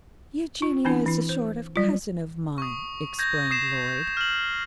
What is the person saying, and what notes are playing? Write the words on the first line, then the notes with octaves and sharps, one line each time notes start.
"Eugenia is a sort of cousin of mine," explained Lloyd.
F4
E3 C4 D4 E4
E3 E4
C5
F#3 G3 F4
C#6 D#6
G6 G#6 A#6
D#6 C7 E7
F6 F#7